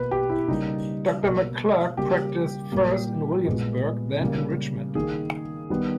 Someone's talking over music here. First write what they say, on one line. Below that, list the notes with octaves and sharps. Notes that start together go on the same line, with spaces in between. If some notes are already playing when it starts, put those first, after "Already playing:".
Doctor McClurg practiced first in Williamsburg, then in Richmond.
Already playing: B2 A#3 B4
G4
E4
C#3 G3 A#3 D#4
B2 A#3
C#3 G3 A#3 G4
A#2 G3 A#3
A#2 G#3 B3
C#3 G3 A#3
D#3 A#3 G#4
D#3 G3 B3